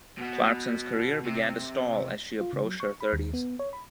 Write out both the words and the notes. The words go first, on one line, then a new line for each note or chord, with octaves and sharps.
Clarkson's career began to stall as she approached her thirties.
B2 B3
C3
F4
C#3
F#3
C#6
B5
D#2
B3
C#5
B5